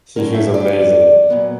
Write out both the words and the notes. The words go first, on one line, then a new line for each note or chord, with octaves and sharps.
Sushi is amazing,
D3 F#3 C#4 A#4
E5
D5
A#2 F#3 B3